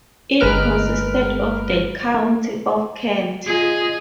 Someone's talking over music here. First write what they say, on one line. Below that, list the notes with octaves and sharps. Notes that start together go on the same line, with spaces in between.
It consisted of the County of Kent.
G1 G#3 A#4 B4 F6 D7
F4 G#4 D#5